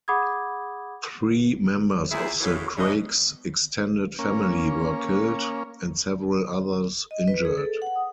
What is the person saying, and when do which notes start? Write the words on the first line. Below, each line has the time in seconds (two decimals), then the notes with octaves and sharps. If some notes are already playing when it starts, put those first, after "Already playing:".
Three members of the Craiggs' extended family were killed, and several others injured.
0.08 G#4 F#5 B5 D6 D#6 G#6
2.11 E2 A#2 E4 G#4
2.40 F#2 A2 C#3 E3
2.77 G#2 B2 E3 G3 C#5 D#5
4.19 A#3 C#4
7.11 D#5
7.28 B4
7.45 G#4
7.58 A4
7.82 F#5
7.96 D#6